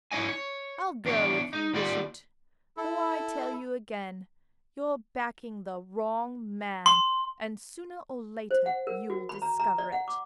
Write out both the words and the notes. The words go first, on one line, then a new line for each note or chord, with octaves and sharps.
I'll go if you wish it; though I tell you again, you're backing the wrong man, and soonah or latah you'll discover it.
E4 C#5 D#5 G#5
C#5
E2 D4 C#5
D#4
D#2 F4 G4 D5 B5
E4 A4
C6
C5
F#5
A#4
F#4
B5
A#5
A#5
D5
F#5
D6